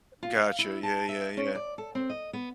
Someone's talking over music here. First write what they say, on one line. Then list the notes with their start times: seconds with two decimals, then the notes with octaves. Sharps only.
Gotcha, yeah, yeah, yeah.
0.23 F4
0.37 F5
0.59 E4
0.83 A5
1.09 E5
1.37 C#4
1.55 D5
1.78 A4
1.95 C4
2.10 D#5
2.33 B3